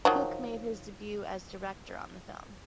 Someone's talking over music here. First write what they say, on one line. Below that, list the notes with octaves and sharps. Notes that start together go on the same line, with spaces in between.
Cook made his debut as director on the film.
D#3 F3 F#3